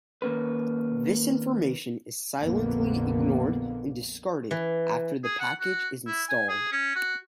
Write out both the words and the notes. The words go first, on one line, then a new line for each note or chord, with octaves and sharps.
This information is silently ignored and discarded after the package is installed.
D#2 A#3 C#4 B4
A#1 F2 D3 A#3 B3
E3
G#4
F#5
F#4
E4
G#5
G#4
C#4
F#4